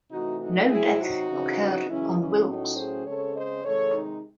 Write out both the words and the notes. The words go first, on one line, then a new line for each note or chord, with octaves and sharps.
No deaths occurred on "Wilkes".
C3 E3 A3 D#4 F#4
D#4 F#4
C3 F#3 C4 E4 G#4
D#4 F#4
C#3 E3 C4
F#2 C#3 E3 G#3 C#4 E4
C#4 E4
A2 F#3 A3 C#4 D#4 F#4
G#4 C5
C#3 G#3 C4 A4 C#5
C5 D#5
C3 D#3 G#3 A4 C#5
D#4